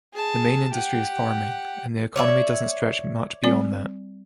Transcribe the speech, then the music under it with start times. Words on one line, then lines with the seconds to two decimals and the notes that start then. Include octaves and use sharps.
The main industry is farming and the economy doesn't stretch much beyond that.
0.13 G#4 A5
0.72 G4 F#5
2.16 C#5 D5 E5
3.44 G3 C4 D5